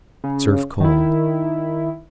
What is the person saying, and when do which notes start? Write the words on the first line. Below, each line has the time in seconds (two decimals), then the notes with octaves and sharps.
Serve cold.
0.24 C#3
0.80 D#3 E4